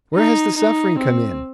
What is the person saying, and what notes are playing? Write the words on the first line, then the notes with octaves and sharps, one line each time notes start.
Where has the suffering come in?
D#4
D#4
C4